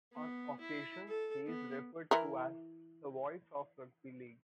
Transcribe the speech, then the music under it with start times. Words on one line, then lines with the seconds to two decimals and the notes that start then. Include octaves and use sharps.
On occasions he is referred to as "The Voice of Rugby League".
0.14 B3
0.61 E4
1.08 A4
1.46 B3
2.11 E3 E4 A#4